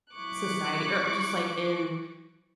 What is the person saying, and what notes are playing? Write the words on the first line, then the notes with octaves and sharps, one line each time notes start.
society or just, like, in
F#3 E4 C#6 D6 F#6